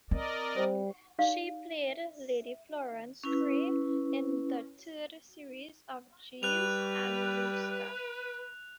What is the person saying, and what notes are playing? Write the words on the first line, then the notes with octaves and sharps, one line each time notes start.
She played Lady Florence Craye in the third series of "Jeeves and Wooster".
C4 A#4 D5 D#5
G3 C5
D#4 G4 D5 F5
C#4 E4 B4
G3 B4 F#6 F7